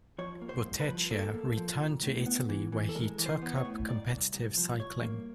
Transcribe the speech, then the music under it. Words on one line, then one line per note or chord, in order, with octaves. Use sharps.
Bottecchia returned to Italy where he took up competitive cycling.
F3 C#5
A#3
C5
C2
B4
F3
A#3 A4
A#3
F3
A#2
A2
B3
E3
E3
A4
G#3 A#4
E3
C5
B3
C#5
A2
A#2 D5
C2
C2
F3
C2 C#5
A#3